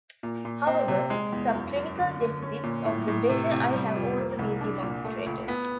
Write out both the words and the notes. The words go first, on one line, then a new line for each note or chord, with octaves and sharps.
However, subclinical deficits of the "better" eye have also been demonstrated.
A#2
A#2
C4
C3
G#3
E2
F#2
F#2
D3
D3
C#4
A#2
A2
A2
C3
C3
G3
F2
A#3
C2
D4
A#2
A3
C#2
B3